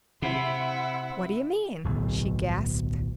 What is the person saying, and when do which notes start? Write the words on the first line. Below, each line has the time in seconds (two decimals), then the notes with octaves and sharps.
"What do you mean?" she gasped.
0.22 C3 E4 F#5 C6 E6
1.84 D1 B1